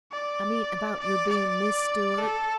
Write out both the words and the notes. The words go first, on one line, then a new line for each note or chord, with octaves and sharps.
"I mean, about your being 'Miss Stewart'?"
D5
D5
D5
A4